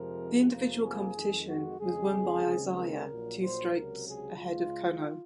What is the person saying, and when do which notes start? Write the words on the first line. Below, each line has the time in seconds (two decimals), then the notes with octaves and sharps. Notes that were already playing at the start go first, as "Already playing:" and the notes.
The individual competition was won by Hsieh two strokes ahead of Kono.
Already playing: F2 C3 F3 G#3 C4 A#4
0.49 F2 C3 F3 A#3
0.82 G#4
1.14 F2 D#3 G#3
1.47 F#4
1.79 F2 C#3 G#3 G#4
2.44 D#2 C#3 G#3 C4
2.77 A#4
3.09 A#1 A#2 F#3
3.41 C5
3.73 C#2 C3 F#3 A#4
4.06 G#4
4.38 C#2 C#3 G#3 F4